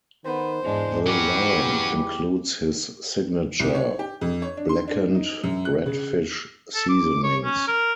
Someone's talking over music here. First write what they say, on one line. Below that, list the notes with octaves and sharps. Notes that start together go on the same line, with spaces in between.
The line includes his signature Blackened Redfish seasonings.
D#3 B3 C5
E2 G#2 G#3 D4
F#3 C#4 G4 G#4 B4
C2
C#5
G4
F2
C#5
D4
C6
D4
D#4
F#2
F#6
C#3
A4
D6
C#5
C#4
A#4